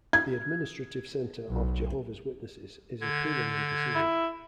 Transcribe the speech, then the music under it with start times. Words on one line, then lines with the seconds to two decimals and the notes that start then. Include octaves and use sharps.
The Administrative Center of Jehovah's Witnesses is appealing the decision.
0.13 G#6
1.49 B1
3.01 D3 G#6
3.96 E4